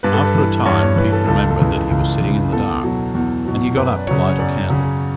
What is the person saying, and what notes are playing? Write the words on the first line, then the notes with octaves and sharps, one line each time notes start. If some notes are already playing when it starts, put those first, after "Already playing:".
After a time, Pete remembered that he was sitting in the dark, and he got up to light a candle.
G2 B4
A4
B4
E3
G2 C#5
C#5
E3 B4
A4
C#2 A4
A4
C#3 E3
C#2
C#3 E3
E2 A4
B2 F#3
E2
B2 F#3
F#2 B4
D5
C#3 F#3 C#5
C#5
F#2 D5
C#3 F#3